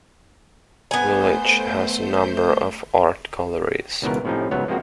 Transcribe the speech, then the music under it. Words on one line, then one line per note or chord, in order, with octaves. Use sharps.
The village has a number of art galleries.
A3 B3 C5 G#5 G6
C#2 G#2 B2 E3 B3 A#4
A2 C3 F3 C#4 D#4
C#2 G#2 F#3 B3 C#5
F3 G#3 A#3 C4 F#4